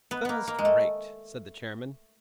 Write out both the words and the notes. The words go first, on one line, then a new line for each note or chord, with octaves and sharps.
'First-rate!' said the Chairman.
B3
A#3 B3
A#3
G#3
A3